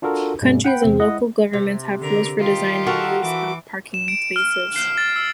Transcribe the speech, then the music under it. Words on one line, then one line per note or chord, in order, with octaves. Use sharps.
Countries and local governments have rules for design and use of parking spaces.
D4 F4 F#4 A4 A#4
G2 B2 G3 A3 B3 C#4
F#5 G5 B5
E2 C3 C4
G#3 E4 D#5 F#5
C3
D3 A#4
D#3 F4 G4
F#4 A4 A#4
E3 D6
E7
D7
F6
C7
A6
E6